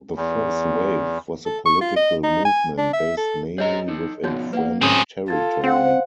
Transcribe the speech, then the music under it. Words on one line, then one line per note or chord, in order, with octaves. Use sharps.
The first wave was a political movement based mainly within French territory.
E2
A4
C#6
F4
D#5
D#4
G#5
D4
E5
A4
G#4 C5 C#5 D#5 A#5
D#4 A4
D3 F3 B3 D#4 F#4 C#5
A#3 B4 F#5
G#2 F#3 A3 C4 C#4 G#4 A#4 C#5
F4 A4 F5 G#6 A6
C4 C5 F5 F#5